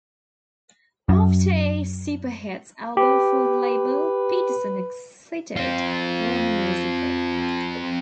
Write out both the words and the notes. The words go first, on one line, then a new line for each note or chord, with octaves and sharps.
After a "Super Hits" album for the label, Peterson exited Warner Music Group.
F#2
G4 B4
C4 F4